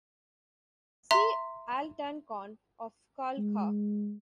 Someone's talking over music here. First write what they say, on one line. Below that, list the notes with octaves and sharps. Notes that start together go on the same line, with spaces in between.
See Altan Khan of Khalkha.
E5 A#5 C6
G#3